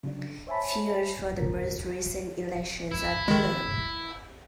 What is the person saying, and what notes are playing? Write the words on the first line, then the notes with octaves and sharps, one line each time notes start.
Figures for the most recent elections are below.
C#3 F#3 D4
C5 C#5 E5 G#5 A5 B5
C#2 D3 A#4
E4
D#3 G#3